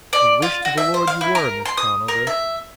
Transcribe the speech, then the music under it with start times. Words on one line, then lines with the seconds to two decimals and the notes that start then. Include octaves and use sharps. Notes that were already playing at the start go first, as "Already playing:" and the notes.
But we wish to the Lord you were, Miss Conover.
0.13 D5
0.42 F4
0.65 F#4
0.77 E5
0.94 C5
1.07 F5
1.21 E4
1.35 A#4
1.65 C6
1.77 D#6
2.08 A#4
2.27 E5